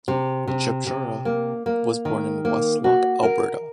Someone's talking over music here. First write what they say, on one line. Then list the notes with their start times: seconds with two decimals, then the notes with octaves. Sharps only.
Chipchura was born in Westlock, Alberta.
0.08 C3
0.47 C3
0.87 C3
1.25 A#3
1.66 A#3
2.05 D#3
2.45 A#3
2.84 F#4
3.23 A#4